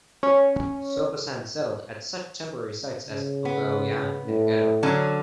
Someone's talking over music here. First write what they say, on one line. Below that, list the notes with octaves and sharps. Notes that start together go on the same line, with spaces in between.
Soposan settled at such temporary sites as Oke-Oyan and Aro.
C#4
C#3
B3
A2
D3 F#3 C#4